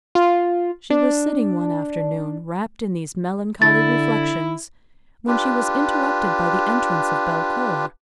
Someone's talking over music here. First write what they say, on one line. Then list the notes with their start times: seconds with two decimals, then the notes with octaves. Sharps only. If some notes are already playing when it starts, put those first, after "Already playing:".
She was sitting one afternoon, wrapped in these melancholy reflexions, when she was interrupted by the entrance of Belcour.
0.15 F4
0.90 D4
3.62 D3 E4 A6
5.28 D4 F4 G4 B4